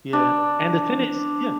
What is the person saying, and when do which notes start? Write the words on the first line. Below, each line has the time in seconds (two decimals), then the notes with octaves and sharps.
Yeah, and the thing is Yeah.
0.13 D4